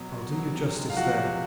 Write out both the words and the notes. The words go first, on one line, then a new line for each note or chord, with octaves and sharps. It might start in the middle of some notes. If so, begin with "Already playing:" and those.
I'll do you justice there.
Already playing: B2 F#3
B2
F#3
C3
G#3
F5
F3 F#4 F#5
C3